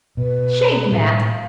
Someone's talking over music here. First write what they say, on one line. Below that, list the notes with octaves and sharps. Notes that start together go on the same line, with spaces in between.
Shake, Matt!
B2 B4
A2 E5
F5